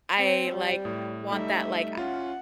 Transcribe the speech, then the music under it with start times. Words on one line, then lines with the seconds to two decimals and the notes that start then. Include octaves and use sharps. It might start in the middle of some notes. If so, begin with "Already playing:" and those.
I, like, want that, like, a
0.18 C4
0.51 G3
0.85 A2
1.31 G3 A3 D#4 E5
1.97 C#4 F4 F#5